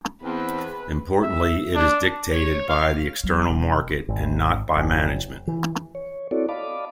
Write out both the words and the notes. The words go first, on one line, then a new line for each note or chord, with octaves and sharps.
Importantly, it is dictated by the external market and not by management.
E2 C4 B4
E5
D4
C#5
F5
F#3
E1
G#1
F#1
E3
C#5
C4 E4 F#4 A4 C#5 D5
D5 D#5 F5 A5 B5 D6